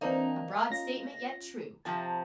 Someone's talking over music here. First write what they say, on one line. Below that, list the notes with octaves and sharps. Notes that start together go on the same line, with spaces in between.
A broad statement, yet true.
E3 A#3 C4 D4 D#4
C#4 F4 A#6
C3 F3 C4 A5